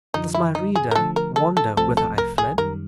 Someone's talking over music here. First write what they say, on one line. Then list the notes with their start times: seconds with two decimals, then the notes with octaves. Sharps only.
Does my reader wonder whither I fled?
0.14 F#2 D3 F3 D#4
0.34 E4
0.55 D#4
0.75 G#4
0.91 A#4
0.95 D3 F3 A3 A4
1.16 A#4
1.36 A4
1.57 A4
1.76 C2 C3 F3 A3 C4 A4
1.97 A4
2.18 A#4
2.38 G#4
2.57 F#2 D#3 G3 A#4